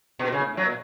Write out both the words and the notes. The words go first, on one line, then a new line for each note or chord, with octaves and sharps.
Get the Meta.
B2
C#3
F#3